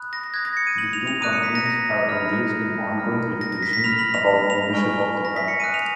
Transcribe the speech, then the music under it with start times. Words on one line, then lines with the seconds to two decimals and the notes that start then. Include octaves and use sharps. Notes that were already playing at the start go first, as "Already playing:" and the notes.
The two companies have engaged in ongoing litigation about ownership of the brand.
Already playing: B5 D#6 F#6
0.13 A#6
0.24 A#6
0.34 B5 D#6 F#6 G#6
0.45 A#6
0.57 C#7
0.67 D#7
0.78 F#7
0.93 F7
1.07 F7
1.21 A#5 D#6 F#6 D#7
1.33 C#7
1.43 B6
1.55 A#6
1.66 A#6
2.09 B5 F6
2.97 B5 F6
3.41 A#6
3.52 A#6
3.62 B6
3.73 B6
3.84 B5 F6 F7
3.99 F#7
4.14 F7
4.50 F7
4.72 G#5 C#6 F6
5.25 A#6
5.36 B6
5.48 C#7
5.60 G#5 D#6 F#6 D#7
5.74 F7